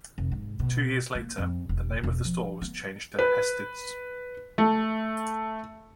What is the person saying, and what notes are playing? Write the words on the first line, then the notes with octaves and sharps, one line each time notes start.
Two years later, the name of the store was changed to Hested's.
F1
G#2
B2
A#3
F2
E1
E1
F3
B3
B4
A3